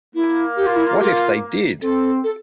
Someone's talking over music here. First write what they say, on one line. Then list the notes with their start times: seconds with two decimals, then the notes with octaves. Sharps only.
What if they did!
0.15 A#3 E4
0.57 G4
0.66 F4
0.76 E4
0.86 F4
0.99 G4
1.04 F4
1.82 C4 A4
2.24 A4